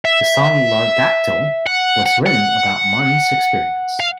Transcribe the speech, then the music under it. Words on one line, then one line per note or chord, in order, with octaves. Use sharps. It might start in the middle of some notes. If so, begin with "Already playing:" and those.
The song "Largactyl" was written about Martin's experience.
E5
F#5
F#5
F#5
F5